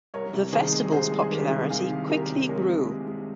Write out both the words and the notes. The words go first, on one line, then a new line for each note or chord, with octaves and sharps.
The festival's popularity quickly grew.
C2 A#4 C#5
C3
D#3 G#4 C5
G#3
C2 G#4 C5
G#3
G#4
D#3 G4 A#4
C3
D#3 F5 G#5
D#3
D#3 G4 A#4
C3
G#3 A#4 C#5
G#3
G#3
G#3